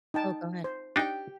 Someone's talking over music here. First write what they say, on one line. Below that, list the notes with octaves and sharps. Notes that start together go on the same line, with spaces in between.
Oh, go ahead.
D#4 G5 A5
C5
D4 D#4 G4 G5